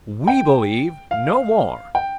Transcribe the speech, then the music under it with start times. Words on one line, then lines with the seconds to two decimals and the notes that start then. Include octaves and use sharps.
We believe no more.
0.27 G5
1.11 F5
1.95 G5